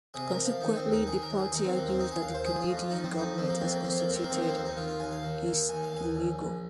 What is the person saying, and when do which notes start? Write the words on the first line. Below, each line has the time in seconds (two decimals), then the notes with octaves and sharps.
Consequently, the party argues that the Canadian government, as constituted, is illegal.
0.14 C3 G#4
0.30 A#4
0.38 F3
0.45 F5
0.61 D#3 D#4
0.76 C4
0.84 D#2
0.92 D#4
1.07 D#3 G#4
1.22 A#4
1.30 D#2
1.37 G#4
1.52 D#3 D#4
1.64 C4
1.76 D#2 A#3
1.87 C4
1.99 D#3 D#4
2.11 G#4
2.22 D#2 F5
2.34 C5
2.45 F3 G#4
2.61 F4
2.69 F2
2.77 F4
2.90 F3 D#4
3.04 C4
3.15 F2 D#4
3.38 F3 C4
3.50 A#3
3.61 F2 C4
3.72 A#3
3.84 F3 C4
3.99 A#3
4.08 F2
4.15 C4
4.24 A#3
4.30 D#3 C4
4.42 C4
4.49 A#3
4.53 D#2 C4
4.65 D#4
4.77 D#3 F4
4.88 F4
5.00 D#2 G#5
5.11 F5
5.23 D#3
5.46 D#2
5.69 D#3 G#5
5.83 F5
5.92 D#2 G#5
6.16 A#1
6.38 A#1